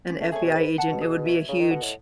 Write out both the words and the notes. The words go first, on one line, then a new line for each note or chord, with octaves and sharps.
an FBI agent, it would be a huge.
C#4
A3
A3 G#4 C#5
B2
G#2 B4
F#5 A5
B2
G#4
C#5 E5
C#3 D#4
D#3
B2 A4 D#5 F#5
A2